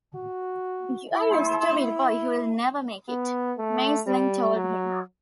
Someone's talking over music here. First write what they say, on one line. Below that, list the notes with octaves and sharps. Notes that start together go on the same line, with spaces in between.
"You're a stupid boy who will never make it," Meisling told him.
F#4
E4
E4
B3
A3
G3
F#3